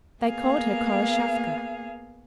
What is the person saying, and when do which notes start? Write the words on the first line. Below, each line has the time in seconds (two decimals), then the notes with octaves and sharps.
They called her Khoroshavka.
0.22 A#3 B3 G#4 F5